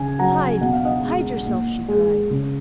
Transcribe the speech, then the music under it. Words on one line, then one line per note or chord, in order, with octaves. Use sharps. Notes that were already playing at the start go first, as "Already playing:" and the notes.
"Hide! hide yourself!" she cried.
Already playing: C#3 G#5
F#3 F#5 A#5
B2 F#5
F5
D#5 F#5
G#3
A#2
G#3
C#3